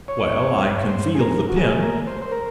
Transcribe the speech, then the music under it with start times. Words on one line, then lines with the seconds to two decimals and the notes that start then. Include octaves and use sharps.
"Well, I can feel the pin."
0.08 C#5
0.83 C5
1.15 G#4
1.20 A#4
1.49 F#4
1.57 G#4
1.73 G#4
1.83 A#4
2.07 C5
2.22 C5
2.32 A#4